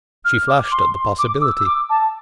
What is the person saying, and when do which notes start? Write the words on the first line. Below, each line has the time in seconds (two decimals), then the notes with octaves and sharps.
She flushed at the possibility.
0.25 F6
0.47 D6
0.72 C6
0.95 C6
1.19 D6
1.37 D6
1.42 E6
1.55 E6
1.66 D6
1.90 A5